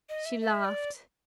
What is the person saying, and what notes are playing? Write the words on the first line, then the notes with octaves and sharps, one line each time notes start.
She laughed.
D#5
E5
E5
D5